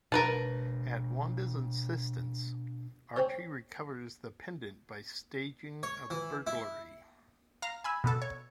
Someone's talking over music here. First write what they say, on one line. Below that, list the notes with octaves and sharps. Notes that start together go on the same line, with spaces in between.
At Wanda's insistence, Archie recovers the pendant by staging a burglary.
B2 D4 A#4 B4 A5
C4 C#4 C5 C#5
C#5
E3
E4
F5 A#5
G#5 B5 E6
B2 B3 A4
C#5